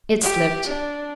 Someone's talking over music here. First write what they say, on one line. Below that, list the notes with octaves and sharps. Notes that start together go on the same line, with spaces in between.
'It slipped.
G4
D4